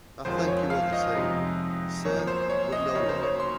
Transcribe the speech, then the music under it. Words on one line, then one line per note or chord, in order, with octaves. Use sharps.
I thank you all the same, sir, but — no lawyer!
F2 D#3 G#3 C#4 F4 C5
C#5
F5
D#5
F2 C3 F3 G#3 D#4
F#2 F3 A#3 C#5
C5
C#5
D#5
C#3 F#3 A#3 D#4 C#5
C5
C#5
C6